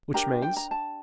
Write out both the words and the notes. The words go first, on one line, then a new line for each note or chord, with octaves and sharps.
"Which means?"
D4 G4 A#4 A#5
G5
A#5
A5